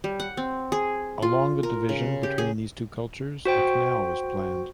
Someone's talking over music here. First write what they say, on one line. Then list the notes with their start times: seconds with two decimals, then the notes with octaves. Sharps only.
Along the division between these two cultures, a canal was planned.
0.04 G3
0.20 F#5
0.37 C4
0.72 G#4
1.22 F4
1.63 A#4
1.89 C#3
2.23 G4
2.38 G#4
3.45 F#4 C5 G5